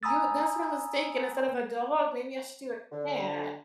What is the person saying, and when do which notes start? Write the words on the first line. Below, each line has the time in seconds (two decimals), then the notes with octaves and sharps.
You that's what I was thinking, instead of a dog, maybe I should do a cat.
0.03 G#5 A#5 B5 D#6 E6 A6
2.92 D3